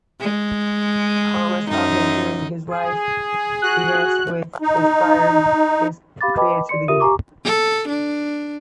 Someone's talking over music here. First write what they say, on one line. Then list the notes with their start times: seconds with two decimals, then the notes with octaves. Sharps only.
Pomus often drew on life events which inspired his creativity.
0.20 G#3
1.68 F#2 D#4
2.71 G#4
3.62 F#4 F#6
4.62 D#4
6.21 G4 F5 B5 D6 A6
6.37 B4 D#5 G5 A5 B5 D6
6.69 D5 C6 C#7
6.88 F4 G4 A#4 E5 D#6 D#7
7.00 G4 F5 G#5 A#5 C#6 D6
7.45 A4
7.88 D4